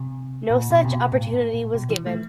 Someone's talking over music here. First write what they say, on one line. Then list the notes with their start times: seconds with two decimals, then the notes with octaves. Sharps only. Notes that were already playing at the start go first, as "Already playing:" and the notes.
No such opportunity was given.
Already playing: C3
0.50 A#2
0.71 B2
0.85 C3
0.91 B2
1.12 A2
1.33 A2
1.54 A#2
1.75 B2
1.90 E3
2.06 A3